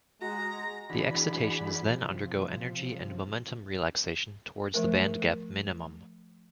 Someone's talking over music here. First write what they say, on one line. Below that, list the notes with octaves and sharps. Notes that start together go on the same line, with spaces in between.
The excitations then undergo energy and momentum relaxation towards the band gap minimum.
G#3 F#4 A#5
E3 D4 F#4 G#4 B5
C3 F3
F3 A3 A#4